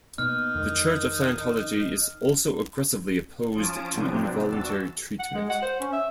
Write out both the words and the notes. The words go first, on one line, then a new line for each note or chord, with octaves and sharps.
The Church of Scientology is also aggressively opposed to involuntary treatment.
B2 A#3 B3 D#4 F6
F2 D#3 G#3
F3 C#4 F4 A5 D#6 D7
C3 F3 F#3 B3 C4 D4
E2 D4 F#4 E6 A6
F#5
G#3
F#5
C5
C#4
E5